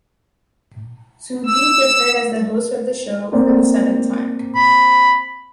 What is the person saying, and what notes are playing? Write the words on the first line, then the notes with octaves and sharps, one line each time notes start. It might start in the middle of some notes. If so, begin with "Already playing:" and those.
Sudeep returned as the host of the show for the seventh time.
E6
A#3 C4 D5
B5